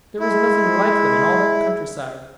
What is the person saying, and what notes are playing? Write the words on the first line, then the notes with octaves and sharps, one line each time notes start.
There was nothing like them in all that countryside.
G#3 E4